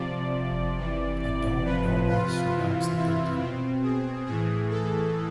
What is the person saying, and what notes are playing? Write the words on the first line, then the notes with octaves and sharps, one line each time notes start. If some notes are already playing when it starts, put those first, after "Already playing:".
A dome normally surmounts the building.
Already playing: C3 F3 D5
C3 E3
D5
C3 F3 B4
F4
C3 E3
E4
B2 C4
G#4
A2 E3 G#4
A4